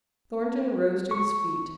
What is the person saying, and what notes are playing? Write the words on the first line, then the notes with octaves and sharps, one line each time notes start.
Thornton rose to his feet.
C#6